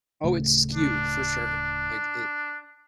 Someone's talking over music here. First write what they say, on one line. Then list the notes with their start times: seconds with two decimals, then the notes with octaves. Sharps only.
Oh, it's skewed for sure. Like, it
0.24 D1 C#3 A3
0.74 D4